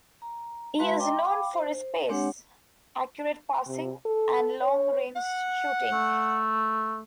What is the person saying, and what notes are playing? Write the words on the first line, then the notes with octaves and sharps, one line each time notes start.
He is known for his pace, accurate passing and long range shooting.
A#5
G#3 F#4 B4 F5 A5 C6
D#5 G5 A#5 C6 D6
F5 G5 B5 D6
C5
G#3 C4 D4 G4 C#5 F#5
C3
A4
C#5
F#5
A3